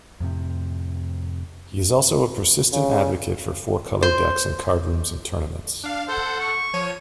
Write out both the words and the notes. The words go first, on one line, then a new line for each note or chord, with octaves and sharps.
He is also a persistent advocate for four-color decks in card rooms and tournaments.
F2 A2 C3
C#3
C5
D4 F5
A4 C5 F#5
C#6
F3 C#5 D#7